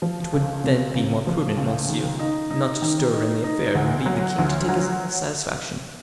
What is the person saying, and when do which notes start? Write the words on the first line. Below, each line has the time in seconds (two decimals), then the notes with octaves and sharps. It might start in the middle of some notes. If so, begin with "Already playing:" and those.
"It would then be more prudent, monsieur, not to stir in the affair, and leave the king to take this little satisfaction."
0.02 F3
0.33 C#2
0.64 C3
0.95 C#2
1.27 F3
1.57 C#2
1.89 D#3
2.19 D#4
2.50 D#4
2.82 D#3
3.13 D#4
3.44 D#4
3.75 D2
4.06 F#3
4.38 D2
4.69 F#3